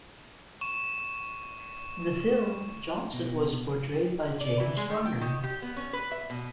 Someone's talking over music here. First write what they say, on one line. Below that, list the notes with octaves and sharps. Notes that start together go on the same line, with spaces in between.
In the film, Johnson was portrayed by James Garner.
C#6 E7
B2
D5
E3
G#3
D#3
G5
D#3
G4
B3
C#4
B4
E5
B2